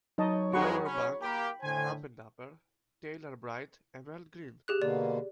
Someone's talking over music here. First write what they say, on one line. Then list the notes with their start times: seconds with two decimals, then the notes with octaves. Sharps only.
Lower back, rump and upper tail are bright emerald green.
0.18 F#3 D#4 C#5 D#5 A5
0.53 F2 G#3 F#4 G#4 F#5 A#5 B5 C#6
0.85 C#4 B5
1.22 A#3 G4 G5 B5
1.62 A2 D3 C5 G#5
4.68 G4 G#4 F#6
4.82 B2 D3 A#3 D5